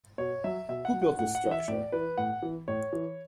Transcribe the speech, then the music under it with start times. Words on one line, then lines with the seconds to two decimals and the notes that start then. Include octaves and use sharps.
Who built this structure?
0.18 B2 C#5
0.44 F#3 E5
0.69 B2 E5
0.85 F#5
0.93 F#3
1.02 F#5
1.19 A2 F#5
1.35 F#5
1.44 E3
1.51 E5
1.68 A2 D5
1.92 E3 B4
2.18 A2 F#5
2.42 E3
2.68 A2 C#5
2.93 E3